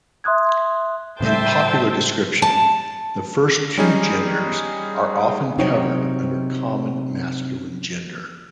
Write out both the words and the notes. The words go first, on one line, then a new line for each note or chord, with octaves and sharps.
In popular description, the first two genders are often covered under common masculine gender.
E5 C6 D#6 F#6 G#6
A2 C#3 G3 C5 E5 G5 A5
A5
G3 C#4 D#4 G#4
C3 F#3 D#4 C5 C#5 G5